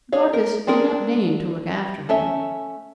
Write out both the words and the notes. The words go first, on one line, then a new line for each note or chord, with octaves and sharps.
Dorcas did not deign to look after him.
G#4 C#5 F5
A#4
C4 D4 G#4 A#4
A3 C#4 E5